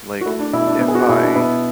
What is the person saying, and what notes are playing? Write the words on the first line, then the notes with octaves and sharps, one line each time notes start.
Like, if I
F#4
A3 E4
D4
B2 E4
D4
B3 E4
G#4
F#4
B2 E4
D4
B3 E4